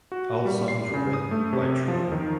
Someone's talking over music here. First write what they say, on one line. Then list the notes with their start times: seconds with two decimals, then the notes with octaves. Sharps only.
All the songs were written by Trueno.
0.12 F#4
0.45 G3
0.68 C7
0.94 C#3
1.14 D#6
1.31 A3
1.53 C3
1.88 F3
2.12 D#3